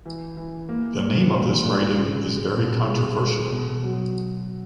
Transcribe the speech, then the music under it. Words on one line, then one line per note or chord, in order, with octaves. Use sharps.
The name of this writing is very controversial.
E3
E3
A#3
A#3
A#2
A#2
C#3
G#3
B2
G#3
G#3
B2
F#3